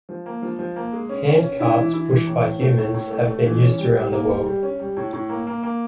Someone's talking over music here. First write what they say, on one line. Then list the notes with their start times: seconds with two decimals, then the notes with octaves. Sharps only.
Hand-carts pushed by humans have been used around the world.
0.09 F3
0.26 A#3
0.42 F3
0.59 F3
0.76 A#3
0.92 G#3
1.09 C#4
1.26 C#4
1.43 C#4
1.60 E4
1.77 E3
1.94 E4
2.11 E3
2.27 A2
2.44 A2
2.61 A3
2.78 A2
2.94 A2
3.11 A3
3.28 A3
3.45 E3
3.62 C#4
3.78 G3
3.95 G3
4.12 A#3
4.30 G3
4.46 G3
4.63 C#4
4.80 G3
4.97 A2
5.13 A2
5.29 A#3
5.47 A#3
5.63 A#3